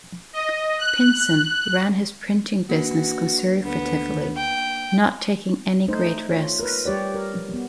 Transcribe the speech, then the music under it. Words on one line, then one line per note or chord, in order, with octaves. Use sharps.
Pynson ran his printing business conservatively, not taking any great risks.
D#5
F#6
A#3 D4 F#4 B4
D2 B3
G5
A3 D#4 C5
F4 C#5
A#4 B4
G3 G4 C#5 D5
A#4
B3